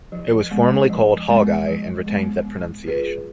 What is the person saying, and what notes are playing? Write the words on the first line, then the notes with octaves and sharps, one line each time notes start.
It was formerly called "Hog-Eye" and retained that pronunciation.
F3
G#3 B3
F3
G#3 B3
F3
G#3 B3
B3
F4 G#4 B4